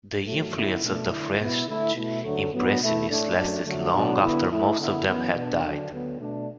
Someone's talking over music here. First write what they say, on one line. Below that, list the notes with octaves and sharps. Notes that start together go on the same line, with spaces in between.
The influence of the French Impressionists lasted long after most of them had died.
A2 F#3 A3
F#2 D3 B3 E4
B2 A3 D4
D3 A3 E4
B2 B3 E4
D3 A3 E4
B2 A3 E4
D2 D3 F#3 A3
A2 F#3 B3 D4
B2 A3 E4
A2 A3 D4
F#2 F#3 A3 D4
D3 F#3 A3
B2 F#3 B3 D4
D3 B3 E4
A2 A3 E4
D3 B3 E4
F#2 E3 B3
B2 B3 D4
D3 F#3 D4
D2 D3 F#3 B3
B2 A3 D4